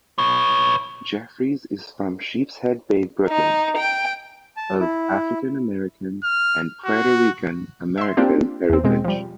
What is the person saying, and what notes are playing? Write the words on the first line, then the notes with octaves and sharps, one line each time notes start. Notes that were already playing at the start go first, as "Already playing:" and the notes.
Jeffreys is from Sheepshead Bay, Brooklyn, of African American and Puerto Rican American heritage.
B4 C#5
D#4
G5
A5
E4
F6
F#4
E5 C6
A#3 C4 D4 F4 G4
E2 C4
B2 G#3 C4
F3 G3